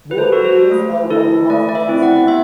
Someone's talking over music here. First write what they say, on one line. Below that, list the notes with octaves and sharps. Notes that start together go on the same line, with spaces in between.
Both players have one half of the screen.
B4
C5
F#4 A4
C5
A3
E4 A4
A3 D5
D5
E5
C4 E4
F#5
B3 E5